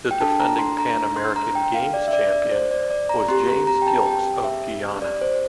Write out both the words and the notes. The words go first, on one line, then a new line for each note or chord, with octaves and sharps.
The defending Pan American Games champion was James Gilkes of Guyana.
G5
D4 A4 A5
A#5
C6
A#5
C6
A#5
G5
F5
D5
E5
D5
D5
C5
D5
D5
A#5
C4 G4 C6
A#5
A#5
G5
A5
G5
E5
D5
C5